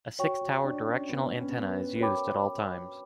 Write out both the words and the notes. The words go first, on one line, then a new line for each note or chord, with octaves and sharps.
A six-tower directional antenna is used at all times.
F#4 C#5 G5 C#6
F#4
D4
C#4
B3
C#4
B3
C#4
B4
B4
F#4 A#4 C#5 G5 B5 D6